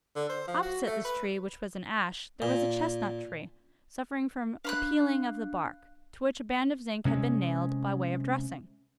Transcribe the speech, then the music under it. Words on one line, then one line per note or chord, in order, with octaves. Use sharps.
Opposite this tree, which was an ash, there was a chestnut-tree, suffering from a peeling of the bark, to which a band of zinc had been nailed by way of dressing.
D3
C5
F3
F#4
A3
B4
A#2
D4 F5 B5 F#6
C3 G#3 C#4